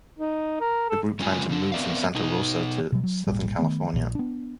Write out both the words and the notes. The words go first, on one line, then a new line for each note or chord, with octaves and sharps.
The group planned to move from Santa Rosa to southern California.
D#4
A#4
A4
F#2 C#3 G#3 F4 G#5
C#3 D4
B3 C4 A#4 D5 E5 F5
B2 D#4
B2 F#3
F#3
D1 G#1 A#2 G3
D#3 A3 B3
A#1 A#2
B3 D4